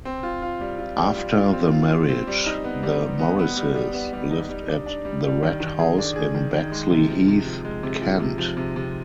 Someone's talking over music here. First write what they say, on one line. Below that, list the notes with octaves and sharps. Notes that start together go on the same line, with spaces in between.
After the marriage, the Morrises lived at the Red House in Bexleyheath, Kent.
C4
F4
F4
G3
F4
G3
F4
F4
C4
F4
F4
C4
G3
D#4
B3
G3
G3
B3
B3
G3
G3
B3
G3
D#4
G3
D4
D4
G3
G3
D#3
D#3
G#4
D4
G#4
D#3
D#3
G#3
C3
F3
C3
F3
G#3
C3
F3
C3
F3
C3
C3